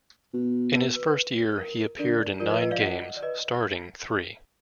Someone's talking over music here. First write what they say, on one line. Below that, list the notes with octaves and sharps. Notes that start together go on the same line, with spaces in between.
In his first year, he appeared in nine games, starting three.
B2
B4
B4
B4
A#4
D3 A#4 D5
F3 A#4 D5
B4 D#5
B4 D#5
D5 F5
D#5 F#5
D5
B4 D#5